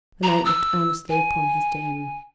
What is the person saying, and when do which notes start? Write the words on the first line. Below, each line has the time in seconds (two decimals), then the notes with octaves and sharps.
The knight looked earnestly upon his dame.
0.23 A#5
0.45 E6
1.09 G#5